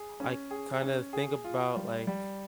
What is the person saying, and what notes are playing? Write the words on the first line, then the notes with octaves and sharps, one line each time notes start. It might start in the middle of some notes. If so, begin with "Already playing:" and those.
I kind of think about, like,
Already playing: G#4
C#4
G#4
C#4
G#4
F4
G3
G3